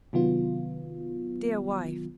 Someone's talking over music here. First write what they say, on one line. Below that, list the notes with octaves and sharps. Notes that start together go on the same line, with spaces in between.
Dear wife!
C3 D#3 F#3 B3 F4